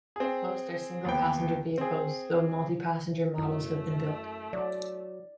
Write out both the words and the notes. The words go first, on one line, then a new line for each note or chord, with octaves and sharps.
Most are single-passenger vehicles, though multi-passenger models have been built.
C4 G#4
D#2 B3 G5
C4 G#4
F#2 A3 E4
F#3 D5